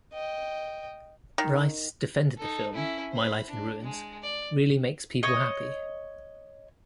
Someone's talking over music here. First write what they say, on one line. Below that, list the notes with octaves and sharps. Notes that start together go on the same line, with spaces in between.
Reiss defended the film: "My Life in Ruins" really makes people happy.
D#5 G5
D#3
D#4 A4
C#4 E4
C5 B5
D4
G#3
D5
C#5 D#5